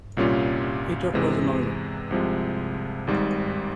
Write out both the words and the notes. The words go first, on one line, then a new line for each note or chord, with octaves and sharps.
Atok was among them.
C2 A#2 G3 C#4 F4
E2 C3 E3 G#3
C2 C3 F3 G#3
G#1 G#2 G3